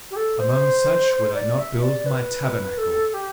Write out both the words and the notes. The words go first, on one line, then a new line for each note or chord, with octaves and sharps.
Amongst such would I not build my tabernacle.
G4
A4
C5
D5
E5
D5
B4
A4
G4